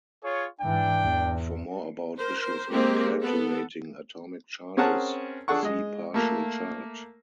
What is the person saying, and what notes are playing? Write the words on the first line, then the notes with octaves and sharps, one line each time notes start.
For more about issues with calculating atomic charges, see partial charge.
F4 G#4 C#5
G#2 E3 D4 G5
E2
A#4 C5
G#3 A#3 C4 G4 G#4
B3 A4
C4 C#4 G#4 A#4 F#5 A5
D4 G#4 A4 F#5 C#6
G#3 D#5
A3 A#3